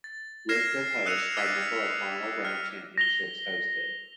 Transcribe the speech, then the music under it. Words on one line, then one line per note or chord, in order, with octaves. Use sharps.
List of hosts by number of final round championships hosted.
A6
F6 G#6 A#6 C7 E7
D#6 E6 F#6 C#7 D#7 F7
D6 E6 G#6 A6 B6
F6
A#6 F7 G7